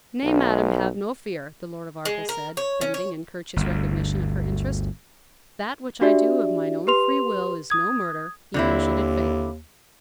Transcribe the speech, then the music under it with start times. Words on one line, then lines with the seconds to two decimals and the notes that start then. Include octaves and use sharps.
"Nay, madam, have no fear," the Lord of Arkell said, bending in courteous recognition of her interest; "that which I do of mine own free will is no murder, even should it fail."
0.24 B1
2.05 G#3
2.29 A#4
2.57 C#5
2.81 C#4
2.94 C#5
3.56 G1 D2
6.01 D4 F#4 G4 D5 E5
6.87 G4 B4 C6 F7
7.70 D#6 G#6
8.54 D#2 D3 C4 E4